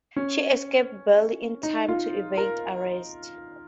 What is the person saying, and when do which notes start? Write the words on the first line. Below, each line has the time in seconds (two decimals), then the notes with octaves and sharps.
She escaped barely in time to evade arrest.
0.16 C#4
1.63 D#4
1.88 F4
2.37 A#4